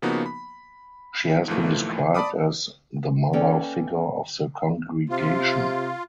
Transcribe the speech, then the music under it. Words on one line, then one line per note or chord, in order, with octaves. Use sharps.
She has been described as "the mother figure of the congregation".
C#3 F3 A#3 B3 D#4 F#4
B5
D2 G#2 E3 F3 A3 A#3
D5 A5 B5 D6 D#6
A#3 C#4 A4 B4 D5 G5
C3 F4